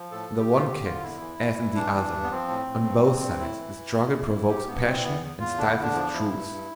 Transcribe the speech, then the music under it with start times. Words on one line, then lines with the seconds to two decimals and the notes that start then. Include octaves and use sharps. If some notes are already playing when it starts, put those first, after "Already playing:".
In the one case as in the other, on both sides the struggle provokes passion and stifles truth.
Already playing: F3
0.11 A2 A4
0.30 A2
0.38 G4
0.48 E3
0.55 F4
0.65 D3 G4
0.84 D3 F4
1.03 E2 E4
1.21 E3
1.39 E3
1.57 E3
1.75 E3 D4
1.94 E3
2.12 G2
2.24 B3
2.30 F3 C4
2.48 A2
2.66 A2
2.85 G2
3.02 F3
3.21 G2
3.39 A2 E4
3.58 E3
3.76 E3
3.94 F2
4.13 F2
4.30 F2
4.49 G2 G4
4.67 G2 B3
4.85 E3 C4
5.03 E2 B3
5.22 E2
5.40 E2 F4
5.58 D3 D4
5.70 E4
5.76 E2
5.82 D4
5.94 F3
6.12 F3 E4
6.31 G2
6.49 G2